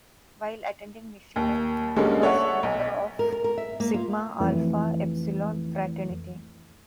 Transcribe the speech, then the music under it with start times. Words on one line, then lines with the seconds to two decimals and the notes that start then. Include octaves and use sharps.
While attending Michigan, Mack was a member of Sigma Alpha Epsilon fraternity.
1.36 D#2
1.96 D3 G3 G#3 A#3 C#4
2.22 A4 C#5 E5 F#5
2.63 B1
3.19 A#4
3.32 A#4
3.44 A#4
3.58 E5
3.80 A#3
3.94 F4
4.40 F2 E3 A3